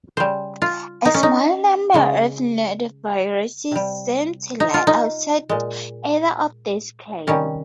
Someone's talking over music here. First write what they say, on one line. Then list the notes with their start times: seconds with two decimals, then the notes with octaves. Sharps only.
A small number of nodoviruses seem to lie outside either of these clades.
0.17 C#3 G3 C5
0.62 F4
1.05 D#4
1.14 C#4
1.23 D#4
1.94 C#3 G#3
3.71 C3 G3
4.60 D#4
4.74 F4
4.87 D#4
5.49 A#2 G#3
7.27 C3 D#3 G3 C#4